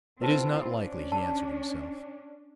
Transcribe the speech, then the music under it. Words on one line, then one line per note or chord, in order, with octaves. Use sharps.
"It is not likely," he answered himself.
C4 E4 F4 B4 C5 A5
C#4 D4
A5